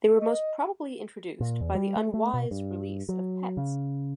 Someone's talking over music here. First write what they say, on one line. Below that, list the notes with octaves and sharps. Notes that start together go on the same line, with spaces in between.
They were most probably introduced by the unwise release of pets.
D#5
A#2
E2
G3
A3
A3
B2
G2
F#3
C#3